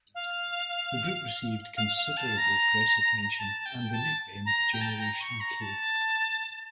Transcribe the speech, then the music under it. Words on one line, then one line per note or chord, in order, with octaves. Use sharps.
The group received considerable press attention and the nickname "Generation K".
F5
F5
F5
A5
A#5
A5
G5
A5
A#5
G5
A5
G5
A#5
C#6
A#5
A5